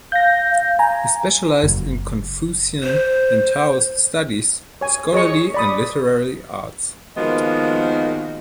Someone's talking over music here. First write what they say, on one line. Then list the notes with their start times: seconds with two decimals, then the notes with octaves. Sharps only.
He specialised in Confucian and Taoist studies, scholarly and literary arts.
0.12 F5 G6 A#6
0.79 G#5 A#5
1.63 F#1
2.83 C5
4.81 C#5 G#5
5.13 G#4 C#5 D#5 C#6
5.54 D5 B5 D#6
7.16 D#3 F3 G#3 A#3 B3 F#4